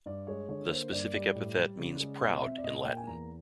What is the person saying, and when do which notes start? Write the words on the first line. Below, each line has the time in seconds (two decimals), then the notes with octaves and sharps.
The specific epithet means "proud" in Latin.
0.06 G2 D5
0.27 G#3 C#5
0.49 D3 C#5
0.70 A#3 C5
0.92 G2 D5
1.14 G3 D5
1.35 A2
1.57 G3
1.79 C#3
2.00 G#3
2.21 B2 D#5
2.43 C4 E5
2.58 D5
2.64 A#2 D#5
2.75 D#5
2.86 A#3 G5
2.97 G#5
3.07 E2 A#5